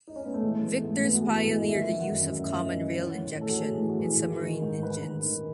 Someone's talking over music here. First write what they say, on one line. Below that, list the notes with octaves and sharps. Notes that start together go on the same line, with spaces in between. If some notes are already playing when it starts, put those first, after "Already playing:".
Vickers pioneered the use of common rail injection in submarine engines.
D#4
C#4
B3
A3
E3 G#3
E3 B3
A3
G#2
A3
G#2 B3
F#4
G#4
E3 A4
B4
E3
D#5
D#3 E5
D#3
F#5
F#2
F#2 E5
D#3
D#5
D#3
E3 C#5
F#5
E3
C#5
A2 A4
F#4
A2 G#4
E3 G#4
F#4
E3
G#4
D#3
D#3
G#2
G#2 B4
D#3
D#3